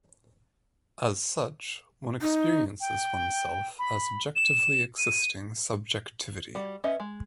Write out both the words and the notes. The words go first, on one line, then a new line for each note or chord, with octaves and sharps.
As such, one experiences oneself as objectively existing subjectivity.
D#4
G5
B5
E7
D#7
G3 F#4
C#4 B4 D#5 E5
G#3